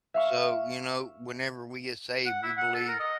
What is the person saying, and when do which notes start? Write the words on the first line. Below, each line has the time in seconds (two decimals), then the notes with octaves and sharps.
So, you know, whenever we get saved, we believe
0.14 E5 F5 C#6
2.26 F#5
2.43 E4
2.57 F#5
2.74 A4
2.88 A#4
3.00 D#5